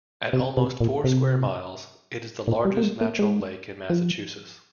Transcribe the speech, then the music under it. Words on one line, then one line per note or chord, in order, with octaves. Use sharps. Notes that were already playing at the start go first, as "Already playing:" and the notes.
At almost four square miles, it is the largest natural lake in Massachusetts.
C3
C3
A#2
C3
A#2
G3
A#3
G#3
A#3
G#3
F3